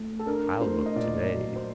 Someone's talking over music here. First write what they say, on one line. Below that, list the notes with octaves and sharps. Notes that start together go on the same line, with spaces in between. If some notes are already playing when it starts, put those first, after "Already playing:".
I'll look today.
Already playing: A3
A4
D4 A#4
A3 C5
D#5
A#2 D5
F#3
C5